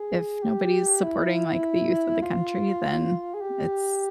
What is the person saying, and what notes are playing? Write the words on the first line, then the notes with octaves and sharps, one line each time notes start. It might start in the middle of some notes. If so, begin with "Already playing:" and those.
if nobody's supporting, like, the youth of the country, then it's
Already playing: G#4
G4
E4
F4
G#4
G4